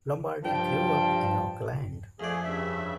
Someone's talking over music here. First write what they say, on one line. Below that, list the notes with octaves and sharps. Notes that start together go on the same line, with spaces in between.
Lombardi grew up in Oakland.
G2 F3 G3 G5 A5
F2 A3 G#4 D5
G2 C#3 E5